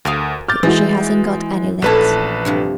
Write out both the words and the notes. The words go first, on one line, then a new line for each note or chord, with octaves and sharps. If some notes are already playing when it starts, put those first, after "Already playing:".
She hasn't got any legs.
D2 A#4 D5 F5 D#6
D6 F6 G6 A6
E3 G#3 D#4 F#4
A#1 A3 C#4 E4 B4 A5
G2 C3 F3